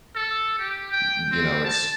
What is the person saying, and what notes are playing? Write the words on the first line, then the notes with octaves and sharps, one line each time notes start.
Y you know, it's
A4
G4
G5
C4
A5